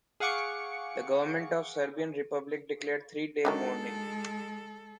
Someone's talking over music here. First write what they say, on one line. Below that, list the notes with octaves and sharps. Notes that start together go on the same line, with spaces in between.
The government of Serbian Republic declared three-day mourning.
G#4 F5 F#5 C#6 D6 C#7
D3 D#3 F#3 G#3 A4